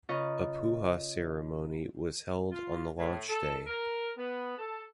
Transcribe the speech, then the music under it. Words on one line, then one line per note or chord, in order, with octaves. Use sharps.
A pooja ceremony was held on the launch day.
C#3 F4 B4 D#5 A#5 C#6
F4
A2
A4
A#4
B3
A4